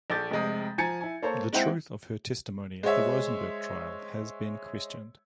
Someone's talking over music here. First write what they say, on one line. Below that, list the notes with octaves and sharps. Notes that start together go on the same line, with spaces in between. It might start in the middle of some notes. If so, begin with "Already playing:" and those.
The truth of her testimony at the Rosenberg trial has been questioned.
A#1 A4 D6 G6 A6
F1 C3 G#3 D#6
F3 G#5 A#5 G#6 A6 C#7
E4 G#5
A#3 A4 C5 C#5
G#3 C4 E4 C5 F#5 G5
G#3 C5 C#5 E5